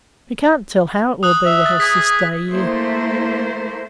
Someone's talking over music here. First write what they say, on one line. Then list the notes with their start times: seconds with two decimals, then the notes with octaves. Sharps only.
We can't tell how it will be with us this day year.'
1.23 D#6 F#6 F#7
1.46 E5
1.66 A6
1.80 G#4 B6
2.51 A3 A#3 E4 C5